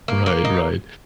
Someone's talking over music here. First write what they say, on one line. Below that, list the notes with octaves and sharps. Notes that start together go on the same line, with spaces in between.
Right, right.
A#3
A#3
D#4